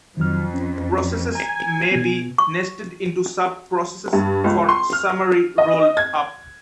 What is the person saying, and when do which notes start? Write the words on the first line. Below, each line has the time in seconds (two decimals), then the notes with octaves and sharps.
Processes may be nested into sub-processes for summary roll-up.
0.17 F2 D#3 F#3 F6
0.54 C#4
1.35 G#5 A#5
1.91 B2 B3
2.38 C#6
4.13 G2
4.44 C#2
4.69 C6
4.93 F6
5.58 D#5
5.97 G#6